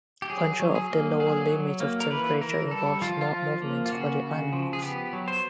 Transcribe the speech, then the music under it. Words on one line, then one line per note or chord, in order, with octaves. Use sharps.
Control of the lower limits of temperature involves more movement for the animals.
G4
F#3 G#4
F#3
G#4
A#3
F#3 G#4
F#3
A#3
A#4
E3 B4
E3 A#4
G3 A4
F3 F4
F4
F3
A#3
F4
C#3 F#4
C#3
F3
G#4
B3 G4
F#3
C5